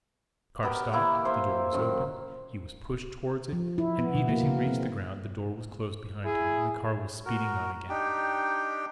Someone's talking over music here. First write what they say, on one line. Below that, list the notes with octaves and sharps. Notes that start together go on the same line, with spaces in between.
The car stopped, the door was opened, he was pushed toward it--and even as he reached the ground, the door was closed behind him, and the car was speeding on again.
B3 G4 A#4 G5
D#3 A#3 E4 D6
C5 E5 F5
F#2 D#3
F3
E4
B3
B2
A#3
C#3
C4
E4 G#4
F#4 A#4
D4 D#4 G4 G5